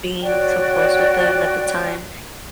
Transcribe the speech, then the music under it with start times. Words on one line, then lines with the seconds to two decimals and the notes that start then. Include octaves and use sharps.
being so close with them at the time,
0.22 F#4 C#5 D5 G5